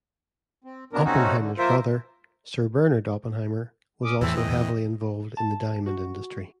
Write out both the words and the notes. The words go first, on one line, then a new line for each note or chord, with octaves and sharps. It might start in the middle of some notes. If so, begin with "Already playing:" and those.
Oppenheimer's brother, Sir Bernard Oppenheimer, was also heavily involved in the diamond industry.
C4
A#2 D#3 F#3 B3 D4 A#4
C3 A3 C4 C#4 D#4 F#4
D3
F3 A#3 F4 A#4 C5 E5
C#4 D6 D#6
E2 A2 E3 C4 E4 A4
D#5 G5
A5
F#4